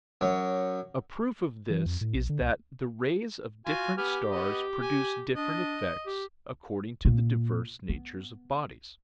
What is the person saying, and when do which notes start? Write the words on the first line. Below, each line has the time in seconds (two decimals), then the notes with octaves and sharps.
A proof of this is that the rays of different stars produce different effects according to the diverse natures of bodies.
0.21 F#2 C#5
1.70 E3
1.86 F2
2.01 A2
2.15 A#1
2.29 D3
2.41 C2
3.66 F4 F#4 G#5
3.98 B3 G4 G#5 F6
4.31 B3 D#5
4.82 G#5
5.36 D4 D#5
6.06 G4
7.05 A#2
7.89 B3